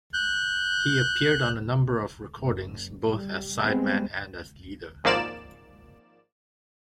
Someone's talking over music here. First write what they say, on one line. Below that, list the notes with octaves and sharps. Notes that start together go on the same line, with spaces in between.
He appeared on a number of recordings, both as side-man and as leader.
F#6 G6
F#1
G3
G3 G#3 B3 C4
G#1 G#2 F3 A#3 D5 E7